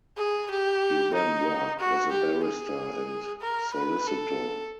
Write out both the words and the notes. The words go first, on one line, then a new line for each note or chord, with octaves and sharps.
He then worked as a barrister and solicitor.
G#4
G4
D#4
F#4
G4
G#4
A#4
B4
A4